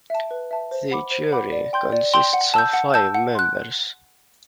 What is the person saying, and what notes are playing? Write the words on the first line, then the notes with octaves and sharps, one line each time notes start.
The jury consists of five members.
E5 A5
B4
E5 A5
C5
F#5 B5 D6
C5
F#5 B5 D6
D5
G5 C6 G6
D5
G5 C6 G6
F#5
A5 E6 G6
F#5
A5 E6 G6
F#5
C6 F#6